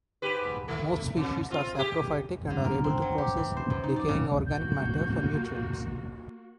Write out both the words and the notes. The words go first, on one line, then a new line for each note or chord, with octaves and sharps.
Most species are saprophytic and are able to process decaying organic matter for nutrients.
G#2 G4 B4
D#3 A3
F2
C4 F4
G4 G#4
D3
A#4
C4
F#3
G4
E3
C5
F#2
D#4
D5
C#3
A#3 F#4 G6